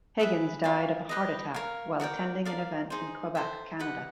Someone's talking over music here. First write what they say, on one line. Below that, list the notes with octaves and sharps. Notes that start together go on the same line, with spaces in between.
Higgins died of a heart attack while attending an event in Quebec, Canada.
E4 G#4 B4 E5
F4 A#4 D5
G4 B4 D#5
A#4 C#5 F5
F#4 A#4 D5 G5
A#4 D5 F5
D#4 G#4 C5
A4 C5 E5
G4 B4 D#5 F#5